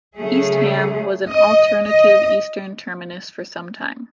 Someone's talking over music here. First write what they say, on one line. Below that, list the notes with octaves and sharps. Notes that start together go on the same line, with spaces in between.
East Ham was an alternative eastern terminus for some time.
C#3 F#3 A3 G#4
D#5
D#5